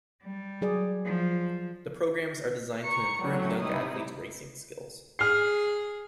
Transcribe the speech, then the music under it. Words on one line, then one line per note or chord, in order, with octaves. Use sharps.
The programmes are designed to improve young athletes racing skills.
G3
F#3 G#4 D5
F3
A#5 C#6 C#7
E3 F#3 G3 A3 C#4
C3 G3 D#4 E4 D#6
G#4 F6 C7